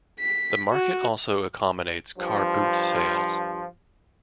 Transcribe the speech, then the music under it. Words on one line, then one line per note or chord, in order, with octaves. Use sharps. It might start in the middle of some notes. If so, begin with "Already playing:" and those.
The market also accommodates car boot sales.
B6
F#4
G2 F3